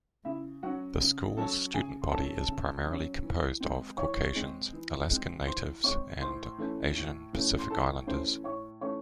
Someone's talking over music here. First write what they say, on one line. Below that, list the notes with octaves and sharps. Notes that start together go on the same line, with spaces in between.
The school's student body is primarily composed of Caucasians, Alaskan Natives, and Asian-Pacific Islanders.
C#3 E4 E5
F#3 C#4 F#4 F#5
C#3
F#3 C#4 A4 A5
C#3 G#4 G#5
C6
F#3 C#4 A4 A5
C#3
F#3 C#4
E3
G#3 C4
E3 C#5 C#6
G#3 C4
E3
G#3 C4
E3 C5 C6
G#3 C4 C#5 C#6
A2 C5 C6
E3 A3 C#4
A2
E3 A3 C#4
C6
A2 A4 A5
E3 A3 C#4 C5 C6
A2 C#5 C#6
E3 A3 C#4 C#5 C#6